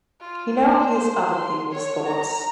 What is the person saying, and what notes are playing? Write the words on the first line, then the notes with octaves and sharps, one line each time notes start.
He now hears other people's thoughts.
F4
C5
C6
C#5
A#5